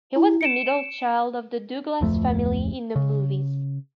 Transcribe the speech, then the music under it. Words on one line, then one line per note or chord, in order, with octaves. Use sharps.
He was the middle child of the Douglas family in the movies.
E4
C#7 D7 E7
D1 F2 A3
C#3